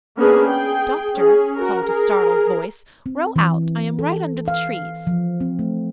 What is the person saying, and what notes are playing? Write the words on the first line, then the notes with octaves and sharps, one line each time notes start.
"Doctor," called a startled voice, "row out; I am right under the trees."
A#3 B3 C#4 D4 G#4 B4
G#4 G5
C#4 G#4
F#4 A#4
G#4 A#4
C4
E3
A4
F5
F3
C4
A3